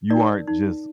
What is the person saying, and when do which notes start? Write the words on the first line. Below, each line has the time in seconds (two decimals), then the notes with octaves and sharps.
you aren't just,
0.10 D#4 A#4 D5
0.47 D#4